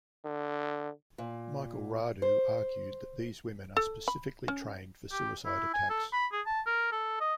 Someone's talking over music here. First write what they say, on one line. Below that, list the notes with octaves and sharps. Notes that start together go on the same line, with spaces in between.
Michael Radu argued that these women are specifically trained for suicide attacks.
D3
A#2
C5
A4
B5
C#4
G4
E4
G#5
A4
B5
G#4
A5
A#4
A4
D#5